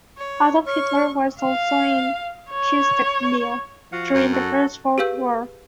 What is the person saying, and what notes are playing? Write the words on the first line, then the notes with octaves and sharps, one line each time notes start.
Adolf Hitler was also in Kyustendil during the First World War.
C#5
C#5 C#6 F6
F5
C#5
F3 F#4 F5 F#5
F#2
F#4 A4
G4 G#4 B4 F5 E6 G6